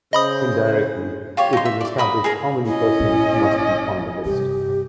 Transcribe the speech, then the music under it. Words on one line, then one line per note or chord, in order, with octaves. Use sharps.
Indirectly it was established how many persons must be on the list.
C#3 C5 D#5 B5 D#6
F4 G4 C#5
D#4 C6
E5
D5 D6
A#4 B5 D#6
G#4 A#4 A#5
C#4 E4 D#5
G#1 A#2
G2 C3 G4